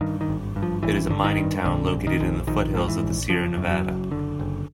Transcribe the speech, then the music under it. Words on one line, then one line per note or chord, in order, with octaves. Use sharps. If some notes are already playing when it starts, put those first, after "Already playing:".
It is a mining town located in the foothills of the Sierra Nevada.
G2 D#3
D#3
G#1
G2
F3
G#1 E3
D3
D#3
G2
A#1 D3
A#1
D#3
A#1
A#1 D#3
G#2 F3
E3
A#1
F#1 F3
F#2
F#3
F#1
D3
F#1